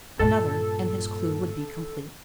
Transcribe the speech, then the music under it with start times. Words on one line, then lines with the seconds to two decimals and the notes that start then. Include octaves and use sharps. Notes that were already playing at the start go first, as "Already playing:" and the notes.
Another, and his clue would be complete!
0.19 G2 A#2 A4